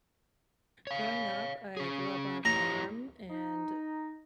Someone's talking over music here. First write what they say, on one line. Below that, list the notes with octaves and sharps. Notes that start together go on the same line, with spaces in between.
growing up, I grew up on a farm and
C#5 F5
C#4 G#4
E4 G4 C#5 A#5
D#4